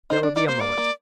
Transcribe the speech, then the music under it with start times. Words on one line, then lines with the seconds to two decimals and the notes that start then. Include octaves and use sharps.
There will be a moment!
0.10 D#3 D#4 C5
0.23 D4
0.35 D#3 D#4 D5
0.47 A#3 C5
0.60 A#3 D5
0.78 A#3